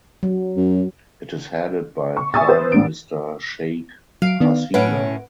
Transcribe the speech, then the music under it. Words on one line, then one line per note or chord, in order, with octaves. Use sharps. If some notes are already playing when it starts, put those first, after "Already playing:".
It is headed by Prime Minister Sheikh Hasina.
F#3
F#2
C#6
E5 G#5 C#6 D#6 E6 A6
B4 C5
A1 D4 D7
F#3 F5 C7 D7
D#3 B3 D4
A2 C#4 B4 F#5 D7